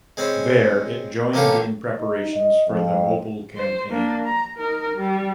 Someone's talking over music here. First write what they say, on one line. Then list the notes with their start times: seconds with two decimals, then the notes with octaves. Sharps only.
There it joined in preparations for the Mobile Campaign.
0.17 G#3 C4 C#4 B5
1.34 A1 A#3 C#4 F4 G4 A4
1.96 D#4
2.32 D#5
2.67 F2
3.56 C5
3.90 A#3 D4
4.25 A#5
4.58 D#4 A#4
4.96 G3